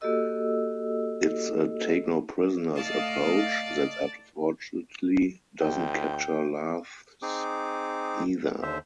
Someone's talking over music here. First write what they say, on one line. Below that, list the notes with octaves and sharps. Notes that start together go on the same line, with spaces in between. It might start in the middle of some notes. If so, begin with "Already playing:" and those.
It's a take-no-prisoners approach that, unfortunately, doesn't capture laughs either.
A#3 F#4 G4 A4 D#5 E6
A3 D5 D#5 F5 A5
D2 G5
C4 D#4 G#4 D6
D#2 D3 C5 E5